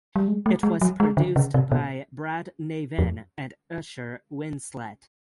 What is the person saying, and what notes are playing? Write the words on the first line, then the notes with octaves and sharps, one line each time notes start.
It was produced by Brad Navin and Usher Winslett.
G3
G#3
A3
G#3
F#3
G#3
D3
C#3
C3
B2
F2